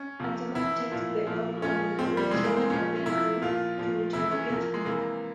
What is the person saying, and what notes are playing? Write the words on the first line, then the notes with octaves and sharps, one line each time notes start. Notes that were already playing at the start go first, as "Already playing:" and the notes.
Angela takes the old man in the wheelchair to her bakery to interrogate him.
Already playing: C#4
C3 F3
C3 E3 E4
A#2 F3
A#2 F3
A#2 F3 C#4
A#2 F3 C4
G3
C3 E3 G#3
A#3
C4
A#2 F3 C#4
C#4
C3 F3 E4
A#2 F3 F4
A#2 F3
C3 E3 E4
C#4
C3 F3 A#3
G#3
C3 E3 A#3